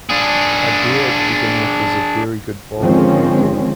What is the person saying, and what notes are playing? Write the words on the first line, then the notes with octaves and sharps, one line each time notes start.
Adair, to begin with, was a very good bowler indeed.
D4 G#4
D3 D#3 F3 G#3 C4 C#4